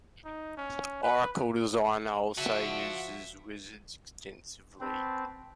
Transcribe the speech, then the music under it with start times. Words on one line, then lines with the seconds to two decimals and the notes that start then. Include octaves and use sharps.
Oracle Designer also uses wizards extensively.
0.24 D#4
0.57 C#4
1.03 B4
2.38 F3 F#4 E5 F#5 A5
4.81 C4 F#4 B4 A5